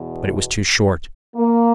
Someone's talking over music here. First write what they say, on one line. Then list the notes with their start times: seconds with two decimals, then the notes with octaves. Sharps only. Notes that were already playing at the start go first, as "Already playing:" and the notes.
But it was too short.
Already playing: E2 B2
1.37 A#3